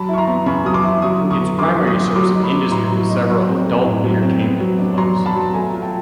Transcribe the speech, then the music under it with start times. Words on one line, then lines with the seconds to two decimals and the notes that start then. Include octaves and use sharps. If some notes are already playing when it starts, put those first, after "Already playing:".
Its primary source of industry was several adult entertainment clubs.
Already playing: F#3 A5 B5
0.09 E4 C#6
0.18 A#5 C6
0.27 B3
0.46 C#3 B5 C#6
0.65 F#3 D#6
0.74 C6 D6
0.84 E4
1.02 F#3 C#6 D#6
1.22 D3
1.31 C#6 D#6
1.40 B3
1.59 D3 C6 D6
1.78 F#3
1.87 C#6 D#6
1.96 D3
2.07 D#6
2.15 F#3 C6 D6
2.35 D#4
2.43 B5 C#6
2.53 B3
2.71 A2 A#5 C6
2.91 F#3
3.09 D#4
3.28 F#3
3.47 C4
3.66 A3
3.84 A2
4.04 F#3
4.22 C4
4.41 B3
4.60 F#3
4.79 D4
4.97 F#3 A#5 C6
5.17 B3
5.26 A5 B5
5.35 F#3
5.54 A3 G#5 A#5
5.73 F4
5.82 G5 A5